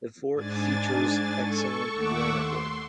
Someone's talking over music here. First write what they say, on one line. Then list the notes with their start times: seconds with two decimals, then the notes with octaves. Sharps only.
The fort features excellent granite work.
0.34 G#2 D4 G#5 A6
1.41 A4 C#6
1.94 D#2 A3 F#5 C#6 D6 E6
2.33 C6